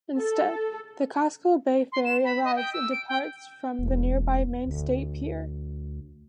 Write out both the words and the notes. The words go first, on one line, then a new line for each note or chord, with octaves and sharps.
Instead, the Casco Bay Ferry arrives and departs from the nearby Maine State Pier.
A4
C6
E7
B5
D#5
G5
E6
D7
G5
E1
D2